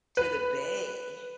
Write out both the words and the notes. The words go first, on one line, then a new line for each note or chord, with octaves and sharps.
to the bay.
B4